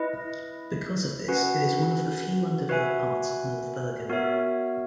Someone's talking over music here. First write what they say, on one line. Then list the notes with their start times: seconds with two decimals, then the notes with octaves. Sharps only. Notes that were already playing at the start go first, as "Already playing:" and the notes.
Because of this, it is one of the few undeveloped parts of North Bergen.
Already playing: E4 B4 D#5
1.28 C#4 F#4 B4 F#5
2.69 F#4 B4 E5 G#5
4.10 B3 F#4 A#4 C#5 E5